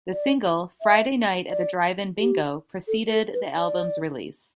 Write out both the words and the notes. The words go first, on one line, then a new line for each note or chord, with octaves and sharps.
The single "Friday Night at the Drive-in Bingo" preceded the album's release.
D5
E5
D5
G4
A4
A4
B4
D5